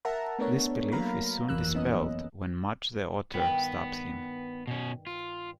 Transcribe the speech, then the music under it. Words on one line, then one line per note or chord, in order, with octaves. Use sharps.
This belief is soon dispelled when Mudge the Otter stabs him.
A#4 E5 F#5 A5 A#5
A3 B3 D4 A4 A#4 C#5
F#3 A#3 F5 A#5 B5
G1 F2 E3 A#3 E6 F#6
B3 C#4 D#5
G2 D#3 B3 G5
B2 C#4
F4